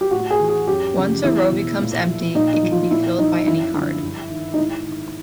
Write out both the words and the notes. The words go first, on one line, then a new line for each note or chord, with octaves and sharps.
Once a row becomes empty, it can be filled by any card.
G4
A2 F#4
G#4
E3
G#4
F#2 G4
C#3 F3
E2 E4
B2
A#2
F3
A#2 D#4
D#4
F3
F4
A#2 E4
F3 D#4
F#2 E4
D3 F3
G2
D#3
D#4
G#2 E4
D#3